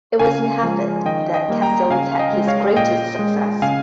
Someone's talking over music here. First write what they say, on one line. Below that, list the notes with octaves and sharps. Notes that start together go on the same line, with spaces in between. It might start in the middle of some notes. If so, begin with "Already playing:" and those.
It was in Hartford that Cassels had his greatest success.
C#3 F5 G#5
F3 G#3
D#3 D#5 G5
D#5 G5
G3 A#3
G5 A#5
C#3 F5 G#5
F5
D#5 G5
G#3
C#5 F5
A#2 D#5 G5
G#3
C#3 F5 G#5